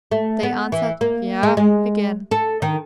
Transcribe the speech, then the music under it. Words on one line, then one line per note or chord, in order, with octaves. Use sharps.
They answered "yea" again.
A3
B3
E3
A#3
G#3
G#3
A4
D#3